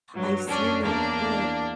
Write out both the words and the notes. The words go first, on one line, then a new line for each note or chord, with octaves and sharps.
I've seen that clip.
G2 F#3
F#2 C#4 D4
E2 A#3 D4